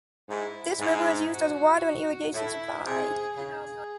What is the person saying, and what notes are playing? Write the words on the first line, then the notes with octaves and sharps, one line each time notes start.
This river is used as a water and irrigation supply.
G#2 E4
G#2
F#4
A2 E4
C3 G#4
C#3 G#4